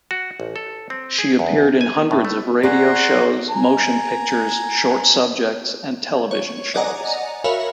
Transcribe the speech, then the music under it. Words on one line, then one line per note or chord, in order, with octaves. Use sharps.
She appeared in hundreds of radio shows, motion pictures, short subjects, and television shows.
F#4
A1
A4
C4
G#4
E2
G#5
A2
A3
F#4 G#4 D5 A#5 C6
G#5 A#5
C#5
D5 D#5 F#5 G#5 A#5
F#4 A#4 C#5 E5 F5 B5